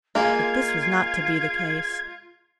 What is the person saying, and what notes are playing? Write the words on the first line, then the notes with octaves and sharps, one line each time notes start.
But this was not to be the case.
G#3 A#3 F4 G#6